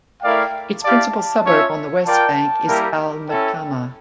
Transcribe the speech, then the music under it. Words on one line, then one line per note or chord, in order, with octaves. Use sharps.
Its principal suburb on the west bank is Al-Matamma.
A3 E4 A#4 D5 F5 G5
E4 G4 D5 F5 A5
C#4 F4 C#5 E5
F4 A#4 D5 G5 A5
G3 A#3 E4 G4 A#4
C#4 E4 A4 G5